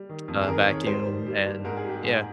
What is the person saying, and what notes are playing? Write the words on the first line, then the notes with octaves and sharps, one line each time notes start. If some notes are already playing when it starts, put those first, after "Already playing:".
uh, vacuum, and yeah,
Already playing: G3
D#3
F2
G#4
D#3 A#4
D#3 C#5
G3 C5
G3
G3
G2
G#2 A#4
G#4
G3 G4
G#2 G#4